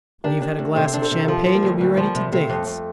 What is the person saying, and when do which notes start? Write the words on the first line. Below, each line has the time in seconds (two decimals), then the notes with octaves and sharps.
When you've had a glass of champagne, you'll be ready to dance.
0.24 D4 G4 A#4
0.42 D4
0.59 D2
0.76 C3 A4 C5
0.93 D4
1.02 A4 C5
1.11 C3
1.20 A#4
1.28 F3 F4 A4
1.46 F3
1.54 G3 A#3
1.63 D2
1.80 D2 G3
1.97 F3
2.15 C3
2.32 C3 A3
2.49 F2
2.67 F2